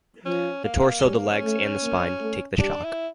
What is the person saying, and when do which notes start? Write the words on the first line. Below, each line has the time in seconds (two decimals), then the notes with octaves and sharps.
The torso, the legs and the spine take the shock.
0.25 F3 C#4
0.64 A#3
1.03 G3 C#4
1.16 A#3
1.30 C#4
1.42 A3
1.82 A#3
2.21 A3
2.59 G3 D4
2.84 E4